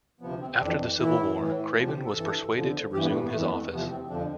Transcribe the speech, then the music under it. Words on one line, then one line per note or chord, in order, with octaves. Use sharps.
After the Civil War, Craven was persuaded to resume his office.
D2 C3 F3 B3
C4
C4
F2 E3 D4
A2 E3 E4
A2 E3
E2 C3 F3 F4
G4
A4
G2 E3
E2 D3 F3
G2 E3 G4
B3
A3
B3
F2 E3 A3
B3
A3
E2 C3 F3 B3
C4
F2 D3 F3 D4